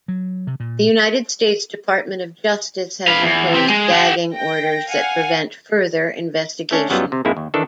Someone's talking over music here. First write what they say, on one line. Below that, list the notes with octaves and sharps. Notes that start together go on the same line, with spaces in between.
The United States Department of Justice has imposed gagging orders that prevent further investigation.
F#3
C3
A#2
B4 F5
E2
C4 G4
G#3
G4 F#5
G5 A#6
F5 F#5 G#5
A3 C#4 D4
F#2 F#3 G3 B3 D#4 F4
C3
F2 G#2 G#3 A#3 E4
D#2
D#3 E3 D4 A4